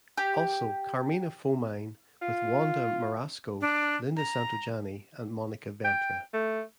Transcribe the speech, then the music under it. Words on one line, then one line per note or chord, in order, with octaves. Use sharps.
Also "Carmina Foemine" with Wanda Marasco, Linda Santojanni and Monica Ventra.
G4
F4
D4
A#5
G5
A3